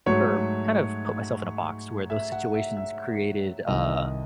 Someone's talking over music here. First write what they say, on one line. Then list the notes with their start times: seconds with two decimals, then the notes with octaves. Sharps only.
or kind of put myself in a box where those situations created, uh,
0.06 G#2 F#3 A3 C#5
2.10 E5
2.32 F#5
2.54 E5
2.77 E5
3.67 C2 C3 D#3 D#5
3.90 D#5